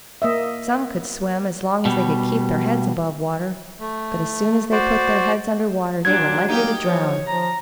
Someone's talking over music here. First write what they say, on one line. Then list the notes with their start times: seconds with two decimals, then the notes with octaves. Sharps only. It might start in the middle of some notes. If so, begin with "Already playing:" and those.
Some could swim as long as they could keep their heads above water, but as soon as they put their heads under water they were likely to drown.
0.22 A#3 D#5 E5
1.85 B2 G3
3.80 A3
4.72 F#4 C5 D5
6.05 A#2 F#3 D4 G#6
6.48 A#3 D#4 G4
6.84 F3 C#5
7.27 F3 A#5